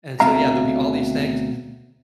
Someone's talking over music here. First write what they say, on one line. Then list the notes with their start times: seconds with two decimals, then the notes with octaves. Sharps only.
And so yeah, there'll be all these things,
0.20 D2 B2 C4 E5 F5 A#5